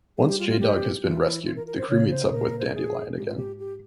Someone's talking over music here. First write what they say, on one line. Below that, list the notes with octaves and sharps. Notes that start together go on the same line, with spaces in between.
Once J Dawg has been rescued the crew meets up with Dandelion again.
G3 G#4
G4
F4
F4
G4
E3 F4
E4
F4
A#4
A#4
C5
C#3 C#5
C5
A#2 A#4
C5
A#4
G#4
G#2 G4
F4
G4
G4